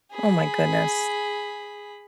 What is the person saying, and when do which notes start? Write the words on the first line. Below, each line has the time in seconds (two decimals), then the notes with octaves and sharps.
Oh my goodness.
0.11 G#4 B5